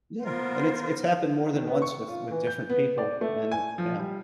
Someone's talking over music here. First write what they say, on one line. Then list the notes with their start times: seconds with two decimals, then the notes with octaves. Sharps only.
Yeah, and it's it's happened more than once with with different people, and, yeah.
0.24 B3 F4 A#4 C5
1.54 D#3
1.67 B3
1.82 C#6
2.08 F4
2.31 E3
2.47 G6
2.69 B3
2.98 D5
3.21 A3
3.52 G#5
3.78 F3
3.99 G3